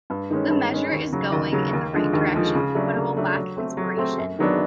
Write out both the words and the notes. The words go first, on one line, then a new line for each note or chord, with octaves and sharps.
The measure is going in the right direction, but it will lack inspiration.
G2
D#3 G#3 C#4
G2
D#3 G#3 C#4
D#2
C#3 F#3
D#2
C#3 F#3
D#2
D3 F3 G#3
D#2
D3 F3 G#3
C#3
F#3 A3 D4
C#3
F#3 A3 D4
F#3
A3 C4
F#3
A3 C4
F#2
D#3 F#3 B3 D4